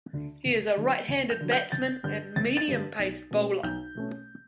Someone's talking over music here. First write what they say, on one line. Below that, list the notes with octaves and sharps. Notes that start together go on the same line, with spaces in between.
He is a right-handed batsman and medium-pace bowler.
D2 D3
D2
D3 F#3
D2
G6
D3 F#3
G6
G1 A6
G2 D3 G6
G1 A6
A6
G2 D3
B1
B2 A3 C#4
B1 G6
B2 A3 C#4